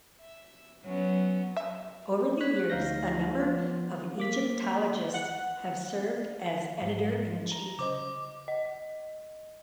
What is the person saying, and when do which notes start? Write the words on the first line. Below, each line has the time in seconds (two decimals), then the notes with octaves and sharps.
Over the years a number of Egyptologists have served as editor-in-chief.
0.22 E5
0.85 F#3 B3 C#4
1.57 E5
2.40 C#5 F#6 B6
2.70 D2 D#4 F5 G6 A#6
3.36 F3 B3 F4
4.18 A#3 D6 B6
5.14 F#5
6.81 G#2 G#3
7.52 A#5
7.79 C#3 C5 D#5 D6
8.48 D#5